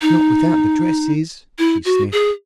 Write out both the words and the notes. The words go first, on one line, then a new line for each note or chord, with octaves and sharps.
"Not without the dresses," she sniffed.
D#4
E4
F#4
G#4